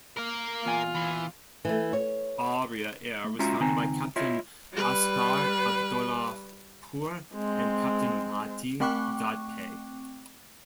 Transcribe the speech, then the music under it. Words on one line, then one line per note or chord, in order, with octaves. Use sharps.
Aria Air was founded by Captain Asghar Abdollahpour and Captain Mahdi Dadpei.
A#4 F5
E2 A#2 F4 G#5
E3
E3 A3
C#5
A3
G#3 C#4 F4 F#4 E5 A#5
C#2 D#3 C4 D#4 G#5 A#5
E4 F4 C#5 D#5 E5
G3 B4
G#3 C4
A3 C4 G5 C#6 D6 F#6